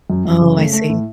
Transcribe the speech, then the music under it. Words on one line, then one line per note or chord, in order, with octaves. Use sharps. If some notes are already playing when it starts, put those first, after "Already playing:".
Oh, I see.
F#2
F#2
C#3
A3
A3
A2